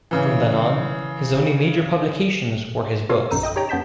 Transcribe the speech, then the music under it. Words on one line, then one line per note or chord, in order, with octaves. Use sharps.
From then on, his only major publications were his books.
C#3 E3
F4 F#4 A4 C#5 F5
A#1 F#2 D3 D#4 E6 D#7
D#5 G5 D#6
D#4 G4 C#5 G5 A#5
F#2 B3 A5 G6 B6 E7